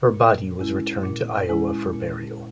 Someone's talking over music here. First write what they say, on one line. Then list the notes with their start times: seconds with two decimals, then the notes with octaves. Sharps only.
Her body was returned to Iowa for burial.
0.14 A#2
0.59 G#3 C#4 E4
1.03 A#2
1.49 G#3 C#4 E4
1.93 A#2